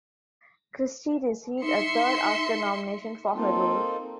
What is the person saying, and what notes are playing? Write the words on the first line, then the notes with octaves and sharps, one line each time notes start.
Christie received a third Oscar nomination for her role.
D#4 E5 C6 C#7
A#3 C4 D#4 F4 A4